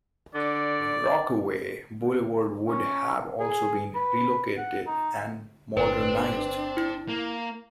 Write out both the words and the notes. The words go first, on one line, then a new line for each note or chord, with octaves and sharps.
Rockaway Boulevard would have also been relocated and modernized.
D3 D5
C#4
G#4
B4
F#5
D#4
G1 C4 D4 B4
E4
A#3